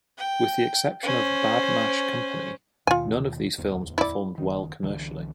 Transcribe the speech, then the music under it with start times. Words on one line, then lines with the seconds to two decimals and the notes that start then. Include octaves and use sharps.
With the exception of "Badmaash Company", none of these films performed well commercially.
0.18 G5
1.04 C#4 C5
2.87 D#2 B2 D#3 F4 G#5
3.58 D1 E2
3.98 E4 D5
4.38 F#1 D#3
4.83 C2 D3 E3